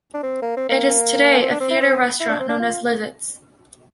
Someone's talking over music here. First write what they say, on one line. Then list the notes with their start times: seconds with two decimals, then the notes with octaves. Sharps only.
It is today a theatre-restaurant known as "Lizottes".
0.14 D4
0.23 C4
0.42 A#3
0.57 C4
0.69 A#3
1.42 C4
1.51 D4
1.60 C4
1.71 E4
1.80 C4
2.20 E4
2.29 D4
2.40 C4
2.49 D4
2.59 F4